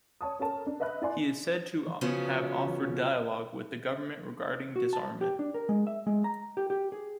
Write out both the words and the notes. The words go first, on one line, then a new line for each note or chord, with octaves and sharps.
He is said to have offered 'dialogue' with the government regarding disarmament.
C#5 A5 D#6
C#4 A4 A#4 A5
D4
B4 D#5 E5 B5 F#6
E4 D5 G#5 C6
C#3 F3 F#3 B3 C#4
F#4
A5
G4
D4
A#4
G#3
E5
G#3
A#5
G4
G4
G#4